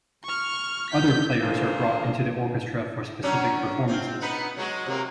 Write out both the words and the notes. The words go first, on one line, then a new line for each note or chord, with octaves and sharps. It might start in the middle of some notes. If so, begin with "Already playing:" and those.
Other players are brought into the orchestra for specific performances.
C#6 F6
G6 B6
D3 E3 F3 A#3 G#4 C5
F#3 C#4 D4
C4 F4
B3 D#4 B4
F#3 G#3 F#4
C3 F#3 A#3